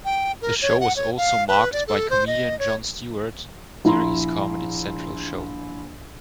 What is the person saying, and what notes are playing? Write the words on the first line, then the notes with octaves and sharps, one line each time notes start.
The show was also mocked by comedian Jon Stewart during his Comedy Central show.
G5
A#4
C#5
F#5
C#5
F5
B4
D5
A4
C5
D#5
C#5
A#1 E4 A#5 C6